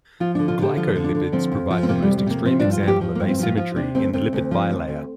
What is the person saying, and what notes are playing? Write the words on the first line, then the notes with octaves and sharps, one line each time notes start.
Glycolipids provide the most extreme example of asymmetry in the lipid bilayer.
F3 F4
D3 D4
F4
D3 G4
F3 F4
D3
D4
D3
F3 C4
F2
F3
C4
C3 A#3
G3
F2
G3
C3 A#3
F3 C4
G2 D4
F4
F3
G4
F3
G2 A#3
C4
F3 F4
F3 F4
C3 D4
D2 C4
D2 C4
D2
F3
D2
D2